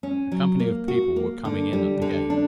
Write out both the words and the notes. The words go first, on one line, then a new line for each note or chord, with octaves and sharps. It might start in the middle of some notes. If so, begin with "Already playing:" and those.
A company of people were coming in at the gate.
C#4
F#3
A#3
F#4
A#3
D3
G3
D3
D4